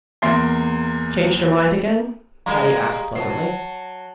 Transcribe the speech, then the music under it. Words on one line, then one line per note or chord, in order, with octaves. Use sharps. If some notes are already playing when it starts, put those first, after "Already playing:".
"Changed her mind again?" Patty asked pleasantly.
E2 A#3 C6
G3 G#3 A#3 F5 A#5 C#6
F#3 A5 C7